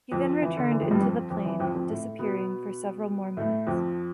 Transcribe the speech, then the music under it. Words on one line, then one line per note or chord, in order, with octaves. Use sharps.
He then returned into the plane, disappearing for several more minutes.
F2 F3
E3
D3
E3
F2 F3
G2 G3
F2 F3
F2 F3
E3
F2 F3
F2 F3
A2 A3
B2 B3
A2 A3
F2 F3